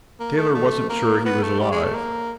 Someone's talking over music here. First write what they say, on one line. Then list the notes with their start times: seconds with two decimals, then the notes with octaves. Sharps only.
Taylor wasn't sure he was alive.
0.20 A#3
0.38 A3
0.55 A3
0.90 A#3
1.25 B3
1.43 A3
1.60 G3
1.72 G#3
1.83 A3
1.95 A#3